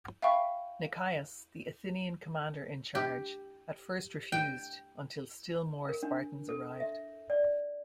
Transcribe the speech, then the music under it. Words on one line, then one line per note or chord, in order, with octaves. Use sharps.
Nicias, the Athenian commander in charge, at first refused, until still more Spartans arrived.
E5 F5 G5 B5 C#6
G4
G5
A#4
D4
A4
E5
D5